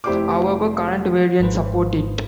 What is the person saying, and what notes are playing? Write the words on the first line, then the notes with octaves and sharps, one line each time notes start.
However, current variants support it.
F1 E4 G4 C5 D5 D6
G#1 G#2 B4 C5